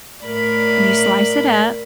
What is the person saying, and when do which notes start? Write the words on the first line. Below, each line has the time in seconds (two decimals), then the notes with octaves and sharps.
and you slice it up
0.25 A2 A#4 D5 B5